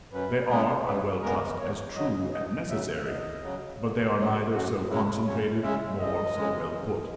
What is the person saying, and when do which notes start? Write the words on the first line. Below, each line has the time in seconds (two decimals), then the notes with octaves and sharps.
They are, I well trust, as true and necessary; but they are neither so concentrated nor so well put.
0.12 F#2 B4
0.49 C#3 G#3 B3
0.85 F#2 B4
1.22 C#3 G#3 B3 A#4
1.59 E2 C#5
1.95 C#3 F#3 D#5
2.31 E2 D#5
2.68 C#3 F#3 E5
3.05 E2 D#5
3.42 C#3 F#3
3.78 E2
4.15 C#3 F#3
4.52 F#2 F#4
4.88 C#3 G#3 E4
5.25 F#2 C#5
5.62 C#3 G#3 E5
5.98 F#2 D#5
6.35 C#3 G#3
6.71 F#2